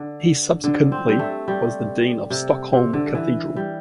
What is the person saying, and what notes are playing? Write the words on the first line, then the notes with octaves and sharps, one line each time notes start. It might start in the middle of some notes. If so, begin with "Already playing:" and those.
He subsequently was the Dean of Stockholm Cathedral.
Already playing: D3
D3
C4
G3
A3
G3
C3
C3
D3
E3
G3